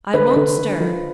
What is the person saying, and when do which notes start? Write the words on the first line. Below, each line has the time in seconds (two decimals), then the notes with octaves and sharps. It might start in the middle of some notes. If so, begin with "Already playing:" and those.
"I won't stir."
0.13 D3 B4
0.36 D3
0.58 D3
0.80 F3